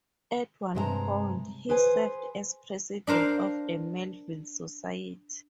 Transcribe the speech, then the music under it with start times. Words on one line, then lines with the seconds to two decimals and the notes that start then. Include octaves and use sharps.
At one point, he served as president of the Melville Society.
0.75 G2 C3 G#3 E5 A5 A#5
1.69 G#4 B4 C5 G#5
3.07 D4 A#4 C5 F5